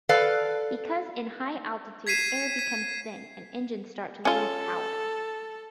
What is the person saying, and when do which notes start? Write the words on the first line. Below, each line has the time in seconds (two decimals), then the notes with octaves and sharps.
Because in high altitude air becomes thin and engines start to lose power.
0.09 A4 B4 D5 F5
2.07 G#6 B6 C7 D#7 E7
2.59 B6
4.25 C#4 F4 A4